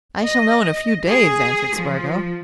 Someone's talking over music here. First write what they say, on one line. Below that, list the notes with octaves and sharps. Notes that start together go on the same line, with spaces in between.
"I shall know in a few days," answered Spargo.
D#5
G#4
F3